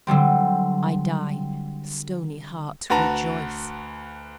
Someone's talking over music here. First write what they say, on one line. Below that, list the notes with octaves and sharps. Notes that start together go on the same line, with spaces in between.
I die; stony heart, rejoice!
D3 F#3 G3 C4
D2 F#4 B4 A5 A#5